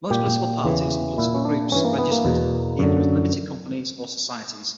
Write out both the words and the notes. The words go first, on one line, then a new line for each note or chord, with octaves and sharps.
Most political parties and political groups registered either as limited companies or societies.
A#2 G4
E2 C#3 E3
A#2 E4
C#4
D4
G2 E3 C#4
A#3
B3
A#3
E2 B2
F#2 D3